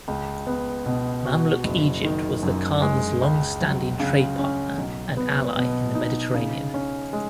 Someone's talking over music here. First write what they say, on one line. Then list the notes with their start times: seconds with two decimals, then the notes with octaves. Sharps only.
Mamluk Egypt was the Khans' long-standing trade partner and ally in the Mediterranean.
0.08 C#2
0.47 B3
0.86 B2
1.25 F#4
1.64 F#1
2.04 D#3
2.43 F#2
2.82 G#3
3.21 C#2
3.61 F#3
4.00 C#3
4.39 C#4
4.77 B1
5.17 B3
5.57 B2
5.95 D#4
6.34 C#3
6.74 C#4
7.13 G#3